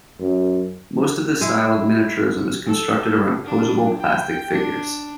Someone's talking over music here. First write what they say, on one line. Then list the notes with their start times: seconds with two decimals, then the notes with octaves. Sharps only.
Most of this style of miniaturism is constructed around posable plastic figures.
0.20 F#2
1.41 G#3 E4
2.66 A4
3.45 D4
4.00 G5
4.52 D4